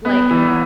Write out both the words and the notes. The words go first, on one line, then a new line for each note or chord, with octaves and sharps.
like, uh
B3
E3